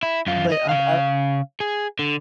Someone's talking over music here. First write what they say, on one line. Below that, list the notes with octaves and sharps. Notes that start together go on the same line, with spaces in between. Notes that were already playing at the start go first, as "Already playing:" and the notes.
But I've I
E4
F#2 F4
D#5
C#3 F5
G#4
D3